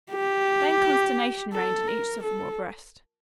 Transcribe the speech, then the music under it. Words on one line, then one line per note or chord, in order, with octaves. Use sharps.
Then consternation reigned in each sophomore breast.
G4
A4
A#4
A4